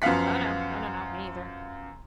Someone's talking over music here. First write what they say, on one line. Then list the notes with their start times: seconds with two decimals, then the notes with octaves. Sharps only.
Oh, no, no, no, no, me either.
0.02 F#2 F3 B3 F5 F#5 B6